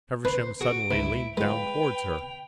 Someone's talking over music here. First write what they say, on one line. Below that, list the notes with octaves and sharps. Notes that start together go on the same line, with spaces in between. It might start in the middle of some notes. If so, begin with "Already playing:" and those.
Feversham suddenly leaned down towards her.
D4 B4 C5
F#4 G#4 D7
C#2 E4
G#3 F4 B4 G5 F7